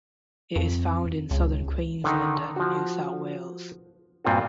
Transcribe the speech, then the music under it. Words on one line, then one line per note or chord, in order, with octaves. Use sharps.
It is found in southern Queensland and in New South Wales.
F2
C#2
D3 D#3 D#4
F3 F#4
G2 A#2 C4 F4 F#4